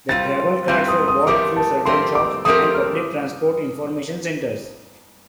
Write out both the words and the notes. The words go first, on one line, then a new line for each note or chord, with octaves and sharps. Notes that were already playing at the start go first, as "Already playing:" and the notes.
The travel cards were bought through certain shops and Public Transport Information Centres.
G3 C4 F4 A6
G3 C4 F4 G6
D#6
D#6
F3 A3 C4 G4 A#4 D6
A5
F3 A3 C4 G4 A#4 C6
D6
F3 A3 C4 G4 A#4 D#6
F6